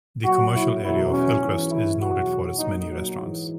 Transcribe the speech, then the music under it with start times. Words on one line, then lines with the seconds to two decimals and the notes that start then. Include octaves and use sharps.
The commercial area of Hillcrest is noted for its many restaurants.
0.24 A#2 F#3 F#4
0.53 E4
0.82 E2 B2 F#3 E4
1.11 C#4
1.41 G#2 E3
1.70 E4
1.99 E2 B2 F#3 F#4
2.57 A#2 F#3 D#4
2.86 F#3
3.17 G#2 E3